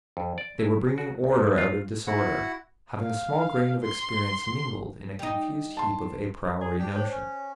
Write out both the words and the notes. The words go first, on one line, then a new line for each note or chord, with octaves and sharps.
They were bringing order out of disorder, having a small grain of experience mingled in a confused heap of a priori notions.
F2
D5
E4
F#4
C2
F3
F4
E4 F#4 F#5
F5
C6
G3 D#4
A5 C6
G#4 D5
D4 G4 G5
C5 C#5
C#4